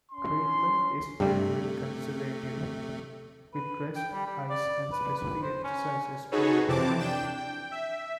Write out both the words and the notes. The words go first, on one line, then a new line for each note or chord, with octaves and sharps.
Treatment is generally conservative with rest, ice, and specific exercises being recommended.
C#4 C6
G2 C3 G3 A3
B4
G5
G3
G3
D5
B4
B4
C5
C#4
D#4 F#4 G#4 A4 B4 C#5
F2 C3 E3 C4 A5 D6
D4 G5 E7
G5
E5